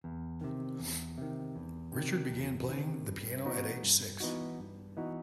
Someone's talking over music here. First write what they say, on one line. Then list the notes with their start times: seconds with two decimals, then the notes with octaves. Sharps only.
Richard began playing the piano at age six.
0.04 E2
0.41 C3 D#3
0.79 E2
1.18 C3 D#3
1.56 E2
1.93 C3 D#3
2.31 E2
2.69 C3 D#3
3.07 G2
3.45 E3 B3 D#4 F#4
3.82 G2
4.20 E3 B3 D#4 F#4
4.59 G2
4.97 E3 B3 D#4 F#4